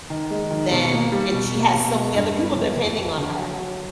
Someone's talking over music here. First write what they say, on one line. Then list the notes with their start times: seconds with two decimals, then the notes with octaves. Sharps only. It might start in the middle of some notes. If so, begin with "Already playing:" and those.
than and she has so many other people depending on her,
0.10 D#3
0.30 G#3
0.51 D#3
0.71 B2
0.92 A#3
1.12 G3
1.33 B2
1.54 A#3
1.74 B2
1.95 G#3
2.15 G2
2.36 B3
2.56 F2
2.77 F2
2.97 F2
3.17 D3
3.39 F#3
3.59 F#3